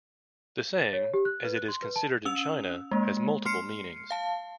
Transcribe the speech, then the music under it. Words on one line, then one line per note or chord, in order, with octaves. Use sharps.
The saying, as it is considered in China, has multiple meanings.
A6
C#5
G4
F#6
B4
F#6
C6
B4
A5
C#4 E6 F7
G#3 A#3
C6 F6 C7 C#7
F5 A5